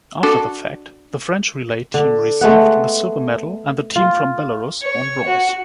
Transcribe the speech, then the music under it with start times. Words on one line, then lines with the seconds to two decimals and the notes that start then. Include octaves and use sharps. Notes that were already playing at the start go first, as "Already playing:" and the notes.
After the fact, the French relay team received the silver medal and the team from Belarus won bronze.
0.23 D4 F#4 A4
1.94 D3
2.41 G#3 A3 B3 F#5
3.96 F4
4.82 C#5
5.28 F#4